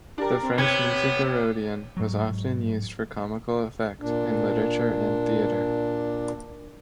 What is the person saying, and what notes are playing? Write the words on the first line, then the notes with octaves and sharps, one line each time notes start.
The French-Nizhegorodian was often used for comical effect in literature and theatre.
D4 G4 A#4
C4
C3 B3 C#5 G#6
G#2 F#3
A#2 D4